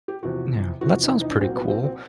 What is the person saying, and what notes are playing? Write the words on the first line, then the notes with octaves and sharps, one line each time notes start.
Yeah. Well, that sounds pretty cool.
G4
E2 C3 F3 F#4
E2 C3 F3 F#4
D#4
E4
D#4
D4
C2 A#2 F#3 C4
B3
C4
C4